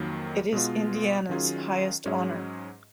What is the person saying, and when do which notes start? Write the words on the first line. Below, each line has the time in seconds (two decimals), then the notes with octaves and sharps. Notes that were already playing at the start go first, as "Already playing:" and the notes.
It is Indiana's highest honor.
Already playing: F2 D#3 F#3 A#3
0.52 B2 G#3 B3 F4
1.29 D#3 F#3 C#4 F4 G#4
2.06 G#2 F#3 C#4 G#4